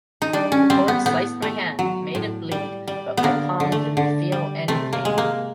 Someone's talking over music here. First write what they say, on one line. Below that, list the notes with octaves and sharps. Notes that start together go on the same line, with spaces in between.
The chord sliced my hand made it bleed, but my palm didn't feel any pain.
D#4
G3 D4
C#4
G3 C4
B3
A2 B3
A3
F#3
A2
G3
G3
B3
D3 A#3
D3
A3
D3
G3
C3 A3
A#3
G#3
A#3